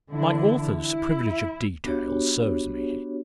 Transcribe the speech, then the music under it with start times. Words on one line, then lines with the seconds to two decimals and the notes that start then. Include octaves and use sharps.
My author's privilege of details serves me here.
0.12 D3 E3 E4
0.78 E4
1.84 B3 D4 F#4 G4 C#5